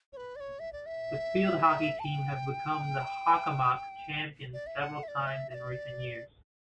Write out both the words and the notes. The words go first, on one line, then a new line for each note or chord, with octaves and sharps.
The field hockey team have been the Hockomock Champions several times in recent years.
C#5
B4
D5
C#5
E5
D5
E5
A5
G5
D5
E5
F#5
E5
D5
E5
E5
D5